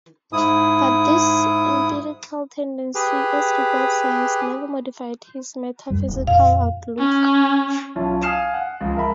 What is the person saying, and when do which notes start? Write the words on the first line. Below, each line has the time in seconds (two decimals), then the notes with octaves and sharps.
But this empirical tendency as regards science never modified his metaphysical outlook.
0.33 G#2 E4 D#6
2.95 G4 G#4 B4
5.90 F#2 G3
6.08 D#1
6.27 F2 A#2 F5
6.99 C#4
7.96 B1 C#4 E4 F4 A5
8.23 F5 G#5 D#6 F6 C7 E7
8.54 F#5
8.81 C#2 F3
8.96 A#4 E5 B5